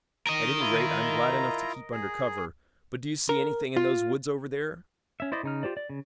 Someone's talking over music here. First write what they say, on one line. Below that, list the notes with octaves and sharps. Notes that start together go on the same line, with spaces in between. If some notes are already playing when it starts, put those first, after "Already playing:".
At any rate I'm glad enough to keep under cover, but do you see anything in those woods over there?
A#4 D#5
E4 F4 A#5
G#4
A#4
F4
C#4 E5
E4 C5 D5 D#5
C#3 D#4 F6
F4 G4 C5 D5
D5
C#3